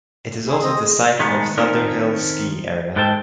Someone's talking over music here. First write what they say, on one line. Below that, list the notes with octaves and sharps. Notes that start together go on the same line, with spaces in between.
It is also the site of Thunderhill Ski Area.
E4 G#4
C4 D#5 D#6
G#4
A#2 D#3 G#3 A3 B3
D#3 A3 C4 C#4 D#4 A#4
G#2 G#3 A4 G5 A5